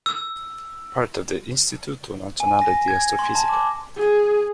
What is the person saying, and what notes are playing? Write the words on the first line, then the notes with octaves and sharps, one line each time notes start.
Part of the Istituto Nazionale di Astrofisica.
E6
G#5
A#6
G#6
C6
A5
D6
G#4